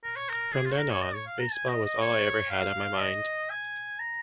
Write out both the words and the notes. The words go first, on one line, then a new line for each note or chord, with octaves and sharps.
From then on, baseball was all I ever had on my mind.
A#4
C#5
A#4
G#4
F4
C#5
A#4
C#5
D#5
C#5
F5
A#5
G#5
D#5
D#5
C#5
F5
D#5
G#5
A#5